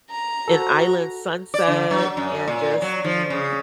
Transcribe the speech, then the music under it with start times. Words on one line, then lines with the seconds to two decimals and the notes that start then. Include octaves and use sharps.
an island sunset and just the
0.10 A#5
0.48 F#4 A4 C5
1.54 D5
1.68 D3
1.91 F#3
2.17 F#2
2.48 A#2
2.82 F#3
3.04 F3
3.30 C#3